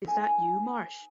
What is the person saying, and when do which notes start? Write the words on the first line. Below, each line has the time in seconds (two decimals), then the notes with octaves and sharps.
Is that you, Marsh?
0.05 D#4 A4 C5 G#5